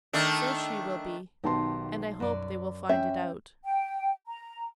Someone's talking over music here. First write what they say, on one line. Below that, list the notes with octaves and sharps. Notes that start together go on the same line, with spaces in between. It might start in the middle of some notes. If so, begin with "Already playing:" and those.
'So she will be, and I hope they will find it out.
D#3 A3 D4
B1 D#3 B3 G4 A5 C6
F#2 D5
C#4 E5 G5
G5
A#5